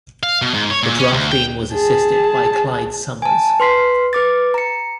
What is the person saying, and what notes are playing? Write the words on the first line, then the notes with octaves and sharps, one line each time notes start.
The drafting was assisted by Clyde Summers.
F5
B2
G#2
C#5
A#2
C#4
D2
G5
G#4 A5
G#5 A5
B4 C6 B6 C7
B4 D6 A6
A#5 C#7